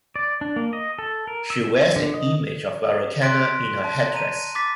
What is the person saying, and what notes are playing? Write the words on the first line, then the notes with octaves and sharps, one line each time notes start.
She wears an image of Vairocana in her headdress.
D5
D4
A#3
D#5
A4
A#4
E6
D3
D#5
C6 F#6 A#6 B6 D7
A5
A#5 A#6 D#7
D6 A6 B6